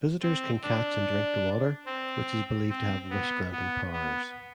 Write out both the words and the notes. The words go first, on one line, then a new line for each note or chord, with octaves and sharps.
Visitors can catch and drink the water, which is believed to have wish-granting powers.
C4
D4
C4
C4
B3
B3
B3